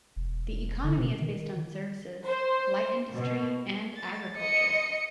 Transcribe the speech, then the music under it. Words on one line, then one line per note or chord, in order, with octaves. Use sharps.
The economy is based on services, light industry and agriculture.
E1
D3
B2
D#3
C5
B2
A6
D#5 C#7